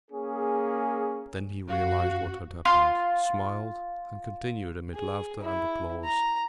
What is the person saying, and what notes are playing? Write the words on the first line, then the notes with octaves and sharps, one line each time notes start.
Then he realized what had happened, smiled and continued amid laughter and applause.
A#3 C#4 G#4
F#2 F#4 F5
F4 F5 C6
G#4
E4
A#5